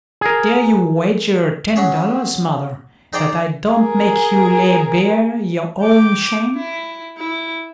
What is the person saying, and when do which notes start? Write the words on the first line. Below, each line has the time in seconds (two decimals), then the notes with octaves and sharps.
'Dare you wager ten dollars, mother, that I don't make you lay bare your own shame?'
0.21 G#4 A#4
1.76 F#3 C#4 G#4
3.13 D#4 G#4 C5 D5 G5 A#5
3.72 G#4 A#4
5.81 G5 D6
6.56 E4
7.18 E4